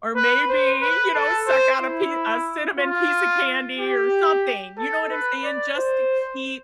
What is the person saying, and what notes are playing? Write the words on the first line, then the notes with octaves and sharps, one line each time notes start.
or maybe, you know, suck out a pie a cinnamon piece of candy or something, you know what I'm saying? Just to keep
B4
C5
B4
A4
C5
E4
F4
G4
A4
B4
D5
C5